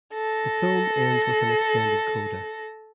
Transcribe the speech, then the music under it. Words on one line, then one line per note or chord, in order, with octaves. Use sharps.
The film ends with an extended coda.
A4 A#6